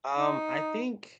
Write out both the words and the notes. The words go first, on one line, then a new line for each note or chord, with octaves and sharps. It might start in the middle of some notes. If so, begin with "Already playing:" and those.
Um, I think
D#4